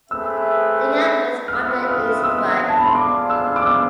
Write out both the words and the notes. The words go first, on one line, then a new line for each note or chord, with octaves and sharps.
Liga with Wacker Innsbruck.
A3 C4 G#4 B4 E5 E6
F6
G#3 C4 F4 B4 E5 E6
F6
E6
A5
B5
C6
F4 G#4 B4 D5 F5 D6
E6
D6
E6